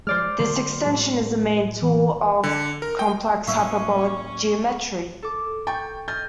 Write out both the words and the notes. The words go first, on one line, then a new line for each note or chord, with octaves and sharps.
This extension is the main tool of Complex Hyperbolic Geometry.
F3 G#3 C5 D5 F6
D3 F#3 A#3 C6
A2 F#3 G#3
E3
D3
A#4
G5
A2 F#3 A#3 C#4 C#5 E5 F5 C#6
A4 D6
G5 C#6 G6 A6
D#5 F6 G6 A6